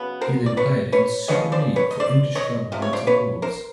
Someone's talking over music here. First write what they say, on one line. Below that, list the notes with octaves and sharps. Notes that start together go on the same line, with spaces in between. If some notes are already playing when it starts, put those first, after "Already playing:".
He then played in Super League for English club Warrington Wolves.
Already playing: C#3 F#3 B3
A#4 C5
D5
B4 C#5
B4 C#5
F3 G#3 B3 C#5 D#5
C5 D5
B4 C#5
D#5
C5 D5
C#5 D#5
C3 F3
C#5
C5 D5
B4 C#5
A#4 C5